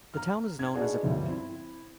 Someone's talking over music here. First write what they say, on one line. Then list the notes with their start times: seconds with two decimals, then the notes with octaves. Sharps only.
The town is known as a balneologic and climatic resort.
0.14 A#5 F6
0.59 G#6
0.74 D4 D#4 F#4 G#4 B4 D5
1.03 G1 D2 A2 F3 G3
1.28 C4 E4